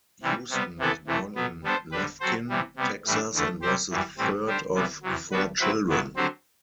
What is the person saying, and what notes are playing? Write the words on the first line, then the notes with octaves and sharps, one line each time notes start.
Houston was born in Lufkin, Texas and was the third of four children.
C3 E3 G3
C3 G3 B3
C3 E3 B3 E4 A4
C3 E3 A3
B2 F#3 B3
G3 B3 D4 A4 C5
D3 G3 D4 G4 B4
F#3 C4 F#4 A4 C5
C3 E3 G3
C3 G3 B3
A2 E3 G3 D4
E2 D3 A3
C3 G3 C4 G4 C5
F#2 E3 G3
A2 E3 G3 C4
G3 D4 G4 C5
C3 E3 G3 B3
E2 C3 F#3
G3 B3 D4 F#4 B4
F#3 C4 E4 B4
G2 F#3 B3 E4
D3 F#3 C4 G4 C5